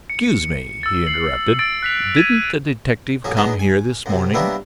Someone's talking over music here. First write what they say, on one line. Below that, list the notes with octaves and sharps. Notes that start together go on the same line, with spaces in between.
"Excuse me," he interrupted, "didn't a detective come here this morning?"
C#7
E6 A6
C7 F#7
E6 A6 D7
F#6 B6 F7
G#6 A6 D#7
A1 F#3 C#4 D#6
F#3 G#3 B3 D4 D#4
G#5
F#2 C3
F#3 G3 A#3 B3 D4 E4